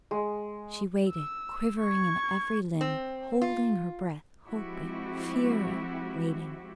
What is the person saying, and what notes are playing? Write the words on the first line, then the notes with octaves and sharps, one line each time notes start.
She waited, quivering in every limb, holding her breath--hoping, fearing, waiting.
G#3
E6
C#6 G#6
C4
F4
F3 G#3 C4 E4 F#4 G4